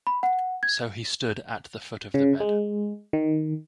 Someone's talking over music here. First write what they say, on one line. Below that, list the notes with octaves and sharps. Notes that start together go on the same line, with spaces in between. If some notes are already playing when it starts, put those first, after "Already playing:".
So he stood at the foot of the bed.
B5
F#5
G#6
C#3
G#3
D#3